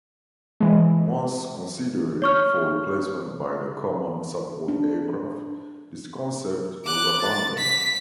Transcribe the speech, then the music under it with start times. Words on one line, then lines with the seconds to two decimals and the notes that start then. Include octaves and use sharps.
Once considered for replacement by the "Common Support Aircraft", this concept was abandoned.
0.60 E3 G#3
2.22 C#5 C#6 F6
4.68 D4
6.85 D6 F#6
7.22 A6
7.58 B6